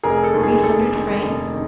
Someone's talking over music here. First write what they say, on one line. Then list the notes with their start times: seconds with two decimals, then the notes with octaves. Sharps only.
"Three hundred francs?"
0.03 F1 G#4 A#4
0.24 A4
0.34 D#2 D#3
0.43 G#4
0.63 F1 A4
0.93 D#2 D#3
1.22 F1
1.52 D#3